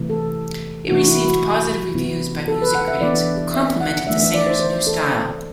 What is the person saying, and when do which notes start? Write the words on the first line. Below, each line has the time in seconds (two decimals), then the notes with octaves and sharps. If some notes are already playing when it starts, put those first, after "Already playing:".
It received positive reviews by music critics, who complimented the singer's new style.
Already playing: C3 E3 A3
0.10 A4
0.89 C3 E3 A3 E4 F#4
1.07 E4
1.24 F#4
1.95 C3 E3 B3 E4
2.48 A4
2.62 B4
2.75 F#5
2.88 E5
3.01 E3 B3 D4 D5
3.54 E5
3.80 F#5
4.07 E3 A3 D4 E5
4.20 E5
4.34 D5
4.47 C5
4.60 C5
4.87 A4